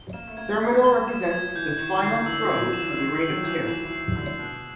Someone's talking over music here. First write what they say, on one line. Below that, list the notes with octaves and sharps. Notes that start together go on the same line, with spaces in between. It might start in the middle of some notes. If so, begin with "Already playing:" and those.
Thermidor represents the final throes of the Reign of Terror.
Already playing: G7
A#3 E7
A3
A#3 G#6
A#3
A3 B6
A#3 G7
B3 E7
F#3
F3 G#6
E3 G6
D#3 E7
D3 C7
E3 E6
F#3
G6
F3
E7
E3
D#3 C7
D#3 E6
F#3
F3
E3 G6
E3 E7
E3
D#3 C7
D3 E6
B2 F#6